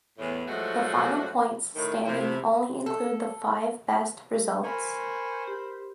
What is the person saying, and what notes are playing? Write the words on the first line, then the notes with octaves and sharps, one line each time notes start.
The final points standings only include the five best results.
E2 A2
A2 F3 F#3 G#3 A3 F#4
A2 D#3
C3 F3 E4
A4
A#4 C5 G#5 B5 C#6
G4